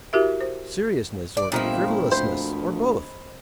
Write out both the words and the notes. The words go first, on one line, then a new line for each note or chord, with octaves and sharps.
Seriousness or frivolousness or both.
E4 F#4 G4 A#4 E5
C5
D5
G1 A#2 F3 C4 E4 A#4 D#5
D2 C5 B5